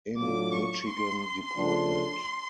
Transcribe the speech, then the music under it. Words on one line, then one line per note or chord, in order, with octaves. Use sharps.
In Michigan Dept.
A2 F#3 A3 D4 F4 D6
C#6
C6
C6
C#3 F3 A3 D4